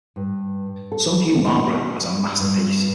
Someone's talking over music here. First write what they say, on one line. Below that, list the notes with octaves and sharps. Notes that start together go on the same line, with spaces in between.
Some view "Margaret" as a masterpiece.
G2
A4
G2